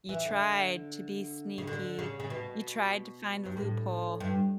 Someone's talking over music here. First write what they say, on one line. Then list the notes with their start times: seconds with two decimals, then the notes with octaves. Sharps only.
you tried to be sneaky, you tried to find a loophole.
0.09 E3
0.25 D3
1.58 C#3
1.67 D3
1.99 C#3
2.20 C#3
2.30 B2
3.45 G2
3.57 A2
4.20 G2